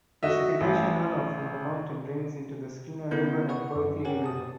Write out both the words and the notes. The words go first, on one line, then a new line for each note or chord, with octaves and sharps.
Precipitation runoff from the mountain drains into the Skeena River and Bulkley River.
F#4 D#5 E5
A1
C#3 B3 E4 A#4 G6
B4 F#5 C#6
F#2
G4 A#4 C#5 F#5 G#5
A5 D#6